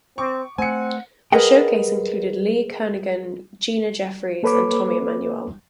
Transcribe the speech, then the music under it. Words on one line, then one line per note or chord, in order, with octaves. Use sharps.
The Showcase included Lee Kernaghan, Gina Jeffreys and Tommy Emmanuel.
C4 C#6 D6
A3 C4 F#5 G#5 C#7
G#4 A#4 B4 D#5 F#5 G5
A#3 A4 B4 C#5 B5 D6